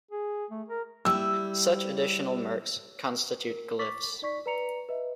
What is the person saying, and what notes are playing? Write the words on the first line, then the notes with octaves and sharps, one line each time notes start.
Such additional marks constitute glyphs.
G#4
A3
A#4
G3 E4 E6
A#4
C#6 D6 A6 B6
D#4 D5 C#6 B6
B4 D5 A#5 C#7 F7
B4 D#5 E5